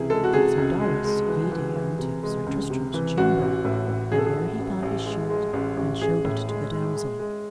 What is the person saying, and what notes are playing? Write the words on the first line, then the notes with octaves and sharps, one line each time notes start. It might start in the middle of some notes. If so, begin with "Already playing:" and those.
Then Sir Darras yede unto Sir Tristram's chamber, and there he found his shield and showed it to the damosel.
Already playing: C#2 C3 E3 E4 G#4
G#3 A4
F#4
C3 G#4
C#2
G#3
G#3
E3
E3
E3
C3
G#3
C#2
C3
E3
A1 F#4
A1
A2
A2
A1 G#4
A4
G#4
A1
A1
A1
G#3
G#3
A1
A1
A1 G#4
A2
G#3
G#3
G#3
G#3